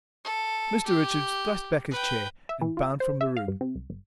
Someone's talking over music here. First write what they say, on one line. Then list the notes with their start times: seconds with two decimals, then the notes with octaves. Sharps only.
Mr Richards thrust back his chair and bounded from the room.
0.24 A4
0.86 G4
1.91 B4 G5
2.49 E5
2.61 E3
2.77 F4
3.00 C5
3.21 E5
3.37 F5
3.48 G2
3.61 C3
3.75 C2
3.90 G1